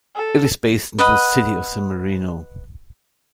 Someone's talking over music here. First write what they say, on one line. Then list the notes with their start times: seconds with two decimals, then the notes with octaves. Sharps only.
It is based in the city of San Marino.
0.15 A4
0.99 B4 D#5 F#5 B5